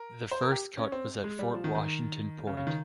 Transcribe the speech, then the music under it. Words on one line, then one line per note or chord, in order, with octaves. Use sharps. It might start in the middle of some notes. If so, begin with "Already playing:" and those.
The first cut was at Fort Washington Point.
Already playing: A#4
C5
A#4
G4
C#4
C4
G#3
G3
F3
D#3
D#3
C#3
C#3
D#3